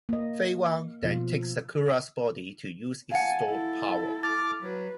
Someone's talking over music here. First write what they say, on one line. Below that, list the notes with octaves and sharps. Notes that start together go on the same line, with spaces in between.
Fei-Wang then takes Sakura's body to use its stored power.
A#3 D#5
B2 F3 F4
F5 F#5 G#5 A5
E4 A4
D6 F6 A6
F#3 B4